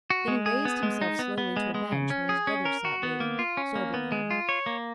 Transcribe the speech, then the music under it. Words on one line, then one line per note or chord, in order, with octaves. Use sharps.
Then he raised himself slowly to a bench where his brothers sat waiting, soberly enough.
F#4
G#3
G#4
B3
G#3
D#4
B3
B3
G#3
G#3
C#3
C#4
G#4
C#4
A#4
F#4
B3
A#3
F4
C#4
A#3
B3
G#3
F4
C#5
A#3